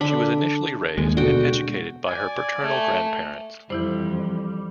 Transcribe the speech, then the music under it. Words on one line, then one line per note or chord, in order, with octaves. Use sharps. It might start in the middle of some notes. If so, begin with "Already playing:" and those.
She was initially raised and educated by her paternal grandparents.
D3 D4 B5
D#2 G#3
B2 D3 F#4 G5
D5 G#5
A3
F2 E3 G3 E4 C5